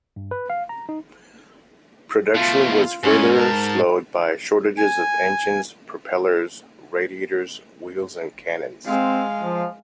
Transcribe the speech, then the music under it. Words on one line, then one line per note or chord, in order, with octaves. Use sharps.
Production was further slowed by shortages of engines, propellers, radiators, wheels and cannons.
G2
B4
F5
A#5
D#4
B2 A3 F4
G#2 G#3 C#4
A#4 A5
G#5
G#3 C4 F5
F3